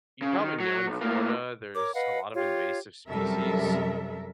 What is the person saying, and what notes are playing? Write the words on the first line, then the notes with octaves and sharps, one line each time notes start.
you probably know in Florida, there's a lot of invasive species,
C#3
D#3
F#3
B1
A2 A#3
A#4 C#5 D6
B4 D#5 F5 F#5
F4 G4 C#5
F#2 C3 G3 A4 A#4 E5